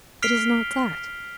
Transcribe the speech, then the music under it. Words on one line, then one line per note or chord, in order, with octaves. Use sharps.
"It is not that."
F6 B6 C7 D7 F7 G7